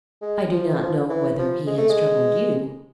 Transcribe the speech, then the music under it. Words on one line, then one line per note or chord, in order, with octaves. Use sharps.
I do not know whether he has troubled you.
G#3
F3
E3
F3
E3
F3
G#3
A3
G#3